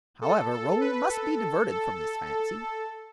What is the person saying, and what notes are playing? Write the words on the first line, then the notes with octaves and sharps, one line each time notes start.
However, Raoul must be diverted from this fancy.
A4
A4
B4
A4
A4
A4
A4